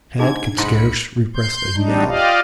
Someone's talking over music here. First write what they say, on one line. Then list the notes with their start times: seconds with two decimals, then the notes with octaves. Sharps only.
Tad could scarce repress a yell.
0.19 G#2 D4 D#4 G#4 G#6
0.58 C2 G#2 C5 B5 C#7
1.36 C6 G6
1.76 G3 D4 D#4
2.08 F4 G4 D5 D#5 F5